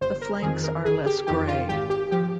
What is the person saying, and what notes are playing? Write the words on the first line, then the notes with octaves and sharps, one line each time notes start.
The flanks are less grey.
G1 C5
A#4
F2 D#3 G#4
A#4
G1 G#4
G4
F2 D#3 G4
F4
G#1 G4
G4
F3 G4